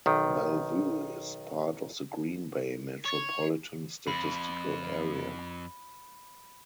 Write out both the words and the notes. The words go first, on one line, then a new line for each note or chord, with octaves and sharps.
Bellevue is part of the Green Bay Metropolitan Statistical Area.
B1 D#3
C#5
F2 B5